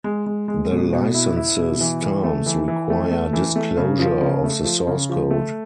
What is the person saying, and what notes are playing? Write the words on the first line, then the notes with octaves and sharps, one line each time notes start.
The license's terms require disclosure of the source code.
G#3
G#3
G#3
B2
B2
E4
E4
B2
E3
E3
A3
E3
E3
A3
A3
E3
A3
C#3
F3
C#3
A3
F3
C#3
F3
A3